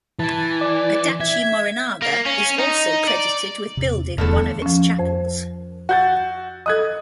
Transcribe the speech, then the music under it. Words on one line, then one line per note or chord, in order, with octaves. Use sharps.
Adachi Morinaga is also credited with building one of its chapels.
E3 A5
D5
E5 G#6
A#3
C#4
D#4
D5
E2 C3
D1 E2 G2 D3 A3 A4
F3 C#4
F2 C5
F#4 G6 A6
A4 D#5 D#6 F#6 G#6